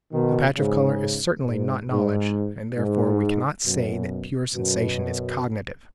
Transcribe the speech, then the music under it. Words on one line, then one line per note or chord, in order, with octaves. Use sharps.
A patch of colour is certainly not knowledge, and therefore we cannot say that pure sensation is cognitive.
B2 D#3
G#2 C#3
G#2
G#2
G#2
F#2 B2
F#2 B2